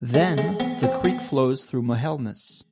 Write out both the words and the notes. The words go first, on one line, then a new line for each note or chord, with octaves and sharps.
Then the creek flows through Mohelnice.
G#3
G#3
B3
C4
B3